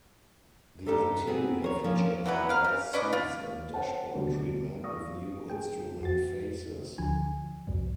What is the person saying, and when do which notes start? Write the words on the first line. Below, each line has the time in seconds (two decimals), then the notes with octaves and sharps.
The interior featured revised seats and dashboard treatment, with new instrument faces.
0.86 G2 B3 D#4 G4 A4 C5
1.27 B3 C4 G#4
1.62 A#4 C5 C#5
1.84 F3 A#3 C4 C#4 F4
2.26 E3 F#3 G3 B3
2.49 A#4 F5
2.64 C#3
2.93 C#4 B4 D5 D#5
3.13 F4
3.74 C5 C#5 F#5 G5 A5
4.14 D2 B2 F#3 G3
4.83 D5 F5 C#6 D#6 A#6
5.50 G#4 G5
6.01 F2 F#4 A6
6.98 D2 D3 F3 G#5
7.67 C2 F2 G#2